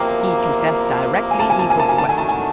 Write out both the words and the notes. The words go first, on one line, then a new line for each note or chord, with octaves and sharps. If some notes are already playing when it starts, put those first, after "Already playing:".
He confessed directly he was questioned.
Already playing: E2 C3 F3 A#3 G5
G#5
A5
G#5
A5
G#5
A5
G#5
A5
D#3 F#3 A3 D4 F#4 G#5
A5
G#5